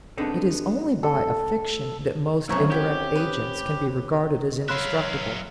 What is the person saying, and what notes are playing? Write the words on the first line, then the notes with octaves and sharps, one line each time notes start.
It is only by a fiction that most indirect agents can be regarded as indestructible.
B3 C4 D4 D#4 G#4 A4
A4
B1 F#2 C4 C#4 E4 A#5 C#6
E4 F#4 G4
B4 D#6
F#3 C#5 E5 F5 B5 C6 F#6